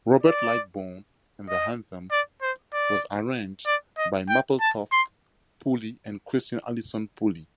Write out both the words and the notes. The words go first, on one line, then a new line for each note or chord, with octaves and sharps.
Robert Lightbourne, and the anthem was arranged by Mapletoft Poulle and Christine Alison Poulle.
D5
D#5
D5
C5
D5
D5
D#5
G5
A5
C6